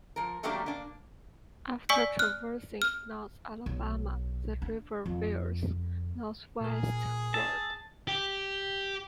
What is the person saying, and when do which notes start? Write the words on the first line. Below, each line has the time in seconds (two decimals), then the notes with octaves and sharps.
After traversing North Alabama, the river veers northwestward.
0.16 F3 A#4
0.43 D#3 F#3 G3 A3 A#3 D4
0.66 A#3 D4
1.89 D5 G#5 C#6 E6 B6 C#7
2.19 F6 F#6
2.82 F6
3.66 B1
4.62 D4
5.06 F2
6.61 A#2 G#4 A#4
7.34 A5 E6
8.08 G4